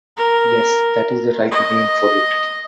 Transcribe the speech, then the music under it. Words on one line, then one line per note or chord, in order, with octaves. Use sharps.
Yes, that is the right name for it.
A#4
D#5